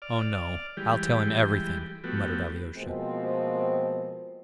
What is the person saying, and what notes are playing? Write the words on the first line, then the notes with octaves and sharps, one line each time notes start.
"Oh, no. I'll tell him everything," muttered Alyosha.
D5 F6
E3 G3 G#3 G4
F3 A3 B3 F#4 G4
B2 F3 G#3 A#3 C4